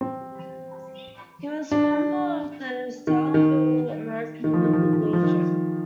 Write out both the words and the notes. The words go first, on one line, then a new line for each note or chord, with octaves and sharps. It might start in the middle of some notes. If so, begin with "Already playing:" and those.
He was a member of the Salineville American Legion.
C4
D4
D#3
D#3
D#3
F3
D#3
F3
D#3
F3
D#3
F3
D#3